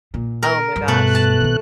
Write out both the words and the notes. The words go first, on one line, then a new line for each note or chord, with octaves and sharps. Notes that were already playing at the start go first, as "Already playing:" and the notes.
Oh my gosh.
A#2
A#4
G2
B2 A3 F#6
A5
C3 D#3